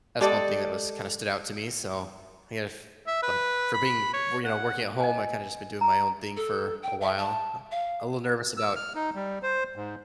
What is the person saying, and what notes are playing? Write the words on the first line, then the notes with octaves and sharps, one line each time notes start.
that's one thing that was kinda stood out to me. So, if but for being well, you know, working at home, I kinda just been doing my own thing for a while. I'm a little nervous about
G#3 G4 A4 D5
E5
B4
B5
C#5
F#5
D#5 G#5
A#5
A4
G5
E5
A5
F5
E6
F6
D#4
G3
C5
G#2